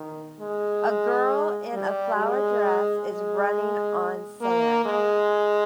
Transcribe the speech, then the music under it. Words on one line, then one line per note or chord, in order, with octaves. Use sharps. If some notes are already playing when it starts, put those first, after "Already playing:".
A girl in a flower dress is running on sand.
Already playing: D#3
G#3
G3
G#3
G#3
A#3
G#3